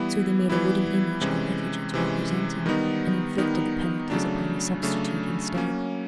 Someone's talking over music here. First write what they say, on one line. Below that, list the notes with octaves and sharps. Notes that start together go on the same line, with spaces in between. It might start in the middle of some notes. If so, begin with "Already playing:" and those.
So they made a wooden image or effigy to represent him, and inflicted the penalties upon the substitute instead.
Already playing: E3 G3 B3 E4
E3 G3 B3 E4
C3 E3 G#3 C#4
C3 E3 G#3 C#4
D#3 G3 B3 D#4
D#3 G3 B3 D#4
C#3 F#3 A3 D4
C#3 F#3 A3 D4
F#3 A#3 C#4